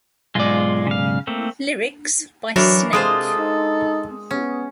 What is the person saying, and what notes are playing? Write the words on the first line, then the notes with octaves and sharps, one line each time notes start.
Lyrics by Snake.
B1 G#2 G#3 F4 D5
C#3 F5
A3 A#3 C4
E3 F#3 D4 A#4 C#5
C3 G#3 F4 A4 C5 D#6
D#4
B3 C#4